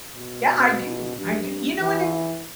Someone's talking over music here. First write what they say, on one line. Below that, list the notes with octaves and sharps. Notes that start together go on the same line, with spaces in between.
Yeah, I do, I do. You know, and it's
B2
G2
E3